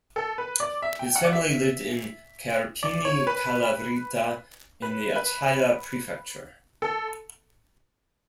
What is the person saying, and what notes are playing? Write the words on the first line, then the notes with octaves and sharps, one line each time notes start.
His family lived in Kerpini, Kalavryta in the Achaia prefecture.
A4
B4
D5
E5
G5
F#5
D5
E5
D5
C#5
B4
B4
B4
A4